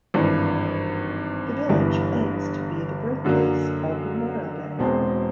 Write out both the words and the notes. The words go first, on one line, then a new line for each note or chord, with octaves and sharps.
The village claims to be the birthplace of Memorial Day.
G#1 G2 E3
G1 G2 E3 G3 B3
F#2 D3 F#3 A#3
E1 E2 B2 G#3 C4